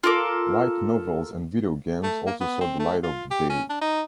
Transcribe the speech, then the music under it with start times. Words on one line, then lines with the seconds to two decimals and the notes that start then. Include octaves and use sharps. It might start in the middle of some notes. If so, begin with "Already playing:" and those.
Light novels and video games also saw the light of the day.
0.04 F4 A4 A#4 D6
2.03 A3
2.27 A#3
2.41 B3
2.61 C4
2.80 A3
3.03 F4
3.31 G4
3.50 C#4
3.70 D4
3.81 D#4